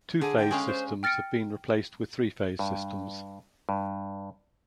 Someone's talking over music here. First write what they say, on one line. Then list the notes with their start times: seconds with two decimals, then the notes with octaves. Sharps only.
Two-phase systems have been replaced with three-phase systems.
0.21 D3 G#4
0.38 G5
0.51 G#3 C#4 F5
0.67 C5
1.03 G5 F6 A6 A#6 C#7 D7
2.59 G2
3.69 G2